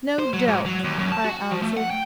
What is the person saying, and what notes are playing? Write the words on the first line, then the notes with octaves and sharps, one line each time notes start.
'No doubt,' I answered.
C5
F#3
G#2
F#3
D#2
F#2
A5
F#4
F3
A3
F#5
G5